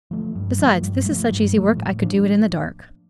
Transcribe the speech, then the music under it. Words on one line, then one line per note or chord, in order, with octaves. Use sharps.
"Besides, this is such easy work I could do it in the dark."
F3 A3
G2
F3 A3
G2
F3 A3
G2
F3 A3
A2
F3 A#3 D4